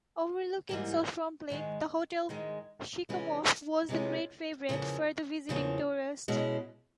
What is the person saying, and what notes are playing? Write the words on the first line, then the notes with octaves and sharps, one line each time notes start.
Overlooking Shuswap Lake, the Hotel Sicamous was a great favourite with the visiting tourist.
G#2 E3 G3 A#3
G#2 D#3 G#3
G#2 D#3 G#3
C3 E3 G#3 C#4 F4
C3 E3 G#3 C#4 F4
E2 C#3 F3 A#3
E2 C#3 F3 A#3
B2 G#3 C#4 E4